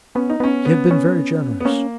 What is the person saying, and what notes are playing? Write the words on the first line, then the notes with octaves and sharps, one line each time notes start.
He had been very generous.
B3 C#4
D#4
B3 C#4
B3 C#4
C#4
B3
A#3 C#4